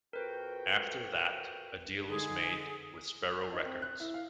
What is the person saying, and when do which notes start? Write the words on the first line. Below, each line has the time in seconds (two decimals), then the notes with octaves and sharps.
After that, a deal was made with Sparrow Records.
0.13 F2 F#4 A#4 B4 G5
2.07 D3 D#4 G#4
3.53 D#4
3.65 C4
3.82 F#6
4.00 E4
4.14 F5